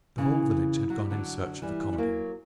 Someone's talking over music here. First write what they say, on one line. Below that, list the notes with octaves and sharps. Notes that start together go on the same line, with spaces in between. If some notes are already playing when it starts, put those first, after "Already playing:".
The whole village had gone in search of the commodore.
C#3 E3
F#3
G3
D3 F#3
E3 G3
G3
F#3 A#3